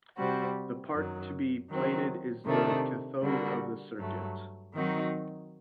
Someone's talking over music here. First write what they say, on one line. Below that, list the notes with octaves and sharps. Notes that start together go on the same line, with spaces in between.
The part to be plated is the cathode of the circuit.
C3 G3 C4 F#4
F#2 D#3 F#3
D#3 F#3 C4
C3 D#3 A3 D4
D3 G3 A#3 F#4
G2 F#3 A3
D#3 F#3 C4 D#4 F#4